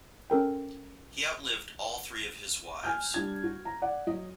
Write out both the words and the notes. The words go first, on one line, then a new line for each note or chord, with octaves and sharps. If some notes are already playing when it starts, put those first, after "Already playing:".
He outlived all three of his wives.
C#4 A4 A#4 G5
G#5 F6 G6
G3 D4 G#6
F#4
A#5
D5 F#5
F#3 D#5